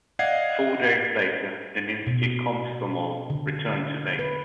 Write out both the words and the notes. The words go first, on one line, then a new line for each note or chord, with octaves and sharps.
Four days later, "Leninsky Komsomol" returned to base.
D5 D#5 F5 F#5 G#6 C7
B2
D3
B4